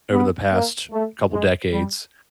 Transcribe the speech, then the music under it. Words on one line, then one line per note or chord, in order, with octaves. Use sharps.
over the past couple decades
B3
A#3
A3
G#3
G3